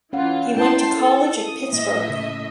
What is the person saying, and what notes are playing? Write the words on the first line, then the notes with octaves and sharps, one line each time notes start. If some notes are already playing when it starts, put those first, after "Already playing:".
He went to college at Pittsburgh.
E3 C#4 F4 F5 F#5
C#4 E4 A#4 G5 A5 C6
A4
D#6
A2 A#3 D#5 E5
C#3